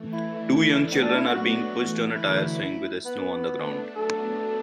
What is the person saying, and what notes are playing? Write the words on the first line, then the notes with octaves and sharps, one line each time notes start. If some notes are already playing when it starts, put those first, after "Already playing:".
Two young children are being pushed on a tire swing with snow on the ground.
Already playing: E3 A3
E4
A3 D4 E4
A3 D4
B3
D4
E4
F#3 B3 F#4
E3 A3
D3 F#3 E4
B3
A3 D4
F#3 B3 A4